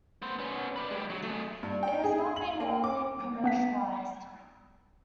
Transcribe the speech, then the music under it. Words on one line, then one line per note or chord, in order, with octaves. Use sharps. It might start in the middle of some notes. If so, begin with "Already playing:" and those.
It has not been widely commercialized.
B3 C5
B3 C#4
B4 D5
G#3 G4
F#3
A3 G#4
G2
G5
G#4
F#7
A#3
D6
B3 F#5 B6